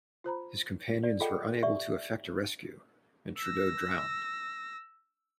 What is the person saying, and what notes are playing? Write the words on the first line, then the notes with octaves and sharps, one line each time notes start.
His companions were unable to effect a rescue, and Trudeau drowned.
F4 C5 A#5 B5
D5
F4 G#4 A4 D#5 F#5 G5
G4 D5 E5 C#6
E6 A#6